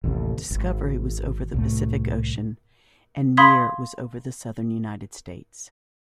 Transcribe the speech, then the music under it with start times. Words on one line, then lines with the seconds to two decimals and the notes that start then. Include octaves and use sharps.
"Discovery" was over the Pacific ocean and "Mir" was over the southern United States.
0.04 A1 D#2 A2 C3
0.51 G#1
1.54 C2 A2 A3
3.37 F5 B5 C6 D#6 G#6 B6